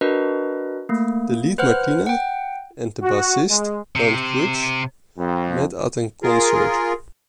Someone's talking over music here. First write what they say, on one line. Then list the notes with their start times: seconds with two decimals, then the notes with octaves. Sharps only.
The lead, Martina, and the bassist, Dan Kurtz, met at a concert.
0.01 D4 F#4 A#4 B4 D#5
0.89 A3 A#3
1.58 B4 C5 F#5 F6
2.07 F#5 G5
3.02 F#4
3.50 G#3
3.95 C3
5.18 F2
6.23 F4 G#4 A#4